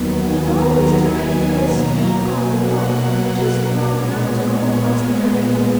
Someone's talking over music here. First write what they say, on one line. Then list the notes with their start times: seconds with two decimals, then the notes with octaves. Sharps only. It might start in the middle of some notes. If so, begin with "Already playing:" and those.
He's always tied to a stake on a rope just long enough to go across the river.
Already playing: D#2 D#3 F#3 B3
0.19 G#5
0.48 A#5
1.05 G#5
1.62 B2 F#3 A#3 A#5
2.19 G#5
2.48 F#5
3.91 A#2 G#3 B3 C#5
4.49 C#5